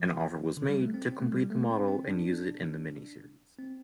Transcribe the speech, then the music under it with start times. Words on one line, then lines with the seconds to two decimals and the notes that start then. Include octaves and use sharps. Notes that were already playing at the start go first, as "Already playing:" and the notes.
An offer was made to complete the model and use it in the miniseries.
Already playing: F3
0.57 D3
0.69 G3
0.82 A3
0.94 C4
1.07 C4
1.20 A3
1.32 G3
1.50 A3
1.70 C4
1.88 C4
2.08 D4
3.58 C4